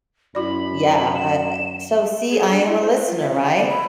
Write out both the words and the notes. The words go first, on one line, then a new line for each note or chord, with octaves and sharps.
yeah, I, uh So see, I am a listener, right?
F#2 E4 F#4 D5 B5
F5 E7
G#4
D4
E4
C5
B4
F4
E5
C#4
G5
D5
B5